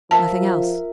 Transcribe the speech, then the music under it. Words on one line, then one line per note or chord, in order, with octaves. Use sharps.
Nothing else.
F3 F4 A#4 E5 A5